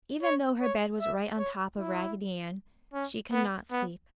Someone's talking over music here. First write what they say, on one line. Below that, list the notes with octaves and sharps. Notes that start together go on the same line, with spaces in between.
Even though her bed was right on top of Raggedy Ann, she could not sleep.
C#5
C#5
E5
C#5
E4
C#4
B3
B3